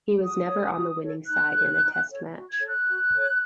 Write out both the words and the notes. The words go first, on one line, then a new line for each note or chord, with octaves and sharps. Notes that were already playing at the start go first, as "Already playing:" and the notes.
He was never on the winning side in a Test Match.
F#4 D#6
A4 C#5
F#4
A4 C#5
D#4 F#6
A4 C#5
D#4
A4 C#5
F#4
G#6
A4 C#5
F#6
F#4
A4 C#5